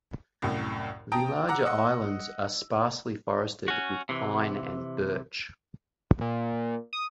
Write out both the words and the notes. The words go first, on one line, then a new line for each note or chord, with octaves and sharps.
The larger islands are sparsely forested with pine and birch.
C2 F#2 A2
G5 A5 A#5 D#6 D7
F#5 A#5 D6 E6
D#5 F#5 E6
C#4 F#4
C3 E3
A#2
D#6